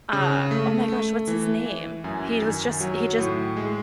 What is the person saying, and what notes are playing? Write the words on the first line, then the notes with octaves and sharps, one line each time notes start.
uh oh my gosh, what's his name? He was just he just
C#3
A3
A3
E3
E3
F#2 G#5
D#3 G#5
F#3
A2
G#3